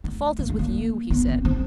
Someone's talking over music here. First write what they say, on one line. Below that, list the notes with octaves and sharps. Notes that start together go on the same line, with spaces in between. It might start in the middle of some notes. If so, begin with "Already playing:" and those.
"The fault is with you," he said.
A3
A#3
A3
A#3
B3
C4
C4